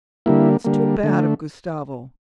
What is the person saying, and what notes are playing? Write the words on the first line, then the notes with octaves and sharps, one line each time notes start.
It's too bad of Gustavo!
D3 G3 A#3 E4
D3 G3 A#3
D3 A3